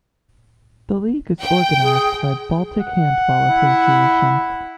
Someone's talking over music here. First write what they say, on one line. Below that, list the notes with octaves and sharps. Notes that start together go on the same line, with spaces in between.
The league is organized by Baltic Handball Association.
G5
G#4
F#5
E4